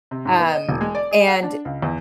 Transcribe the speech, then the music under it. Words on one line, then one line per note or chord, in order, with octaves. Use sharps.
um, and
C3
G#2
B3
D#5
E1
G#3
D5
G#4
F#5
D4
C#2
E2